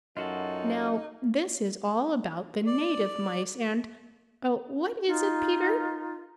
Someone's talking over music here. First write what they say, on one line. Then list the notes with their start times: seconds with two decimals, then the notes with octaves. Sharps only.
"Now this is all about the native Mice and--what is it, Peter?"
0.17 F#2 D#4 F4 F#4 A4
2.66 D5
5.07 D#4 F4